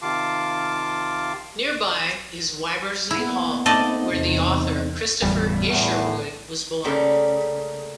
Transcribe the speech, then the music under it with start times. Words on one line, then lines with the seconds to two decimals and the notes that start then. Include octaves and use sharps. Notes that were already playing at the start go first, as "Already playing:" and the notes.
Nearby is Wybersley Hall, where the author Christopher Isherwood was born.
0.02 C3 D#3 F4 F5 A5 D6
3.11 A#3 B3 E4
3.66 A3 C4 D#4 D5 D#5
4.13 E2 C3
5.22 G1 E2 A2 G3
5.69 E2 A2
6.84 C#3 G3 A3 A#3 G4